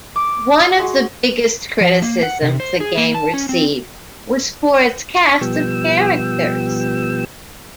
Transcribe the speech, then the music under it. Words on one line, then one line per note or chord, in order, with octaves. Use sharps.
One of the biggest criticisms the game received was for its cast of characters.
D6
G#3 F#4
F3
A#3
F#5
C3
C5
G#4
A#3
A5
C#4
C4
B2 F3 G3 B3 G5 E6